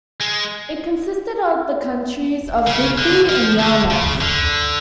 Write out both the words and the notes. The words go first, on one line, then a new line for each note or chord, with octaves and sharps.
It consisted of the counties of Digby and Yarmouth.
G#3
C#3
D3
F3
D3
C#3
D3